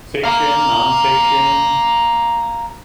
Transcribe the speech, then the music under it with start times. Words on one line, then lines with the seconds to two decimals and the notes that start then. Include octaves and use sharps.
Fiction, nonfiction?
0.24 F5 A#5